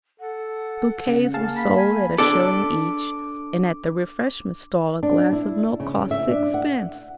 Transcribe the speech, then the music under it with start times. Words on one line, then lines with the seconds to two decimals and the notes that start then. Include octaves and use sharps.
Bouquets were sold at a shilling each, and at the refreshment stall a glass of milk cost sixpence.
0.20 A4 F#5
1.07 C#3
1.34 A#3 G#4 F5 A5
1.57 B5
1.76 G#5
2.18 D4 A4 D6
5.03 D4
5.33 E4
5.80 C#3
6.11 E5
6.31 D4
6.54 F#5